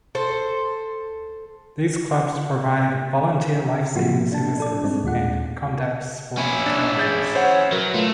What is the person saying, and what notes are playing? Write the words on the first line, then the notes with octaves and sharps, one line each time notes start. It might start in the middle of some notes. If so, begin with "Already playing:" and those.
These clubs provide volunteer lifesaving services and conduct sporting carnivals.
A4 C5
A2 F3 F#3 A#3 F4 F#4
D4 A5
D4 A4 D5
G#2 G3 G#3 C4 D#4
D#2 A#2 G#3 F4 F#5
C#4 E4
D4 A6
G#4 G6 A6
C5 C#5 F#5
F#3 A#4 B4
A3 F4